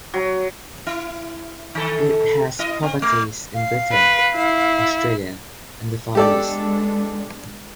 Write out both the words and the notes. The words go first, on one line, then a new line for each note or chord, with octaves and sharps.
It has properties in Britain, Australia and the Far East.
F#3
E4
D#3 A4
E4 D#5
C4
A3
F5
B4
E4
G#3 B3 D4 G4 A4 D5